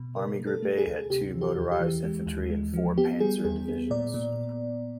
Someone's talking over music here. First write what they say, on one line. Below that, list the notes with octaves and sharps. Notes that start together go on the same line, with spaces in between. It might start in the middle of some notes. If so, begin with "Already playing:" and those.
Army Group A had two motorised infantry and four "panzer" divisions.
Already playing: B2
C#3 A#4
A3
A4
A3
G#4
D2
C3 G4
E3
G4
E2
G4
E3
G#3
D#2
G#3
F3
B3 G4
G3 G#4
E2 G#4
B3
A#2 D5
A#2